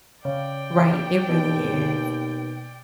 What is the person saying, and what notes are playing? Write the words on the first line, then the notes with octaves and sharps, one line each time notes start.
Right, it really is,
C#3 D5 G5
D#2 B2